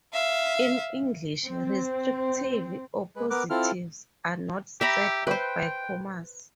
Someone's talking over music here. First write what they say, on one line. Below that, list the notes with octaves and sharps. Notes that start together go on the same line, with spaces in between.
In English, restrictive appositives are not set off by commas.
E5 F5
C4
G#3 B4
B3 A#4 B4 D6 F#6
C4 E4 F4 A4 F6
G4 E5 A#5 B5
B4 C5 G5